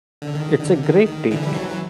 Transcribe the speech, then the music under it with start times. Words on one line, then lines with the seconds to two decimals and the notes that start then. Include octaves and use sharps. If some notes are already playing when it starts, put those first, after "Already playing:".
It's a great take.
0.22 D3
0.35 D#3
0.59 D3
0.83 D#3
1.07 D#3
1.31 D3 E3
1.43 G3
1.54 E3 F#3
1.68 E3